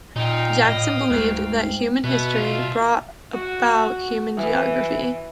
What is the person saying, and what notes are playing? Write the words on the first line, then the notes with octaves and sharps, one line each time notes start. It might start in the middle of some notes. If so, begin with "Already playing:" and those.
Jackson believed that human history brought about human geography.
A#2 D#4 F5 G5
A2 D#5
D2 G#2
B2 B3 E5
C2 F4 E5
F#4
E3